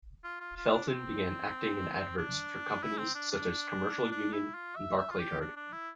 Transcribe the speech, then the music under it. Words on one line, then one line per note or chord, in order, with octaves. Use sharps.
Felton began acting in adverts for companies such as Commercial Union and Barclaycard.
F4
F4
F4
D4
C4
D4
E4
C4
D4
D4
D4
E4
F4
E5
E5
F4
G4
D4
D4
E4